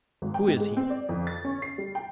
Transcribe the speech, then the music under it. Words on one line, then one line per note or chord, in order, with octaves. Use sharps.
Who is he?'
G#1
G5
G#2
G#3
C4
D5
F2
A6
C#4
C7
G3
G5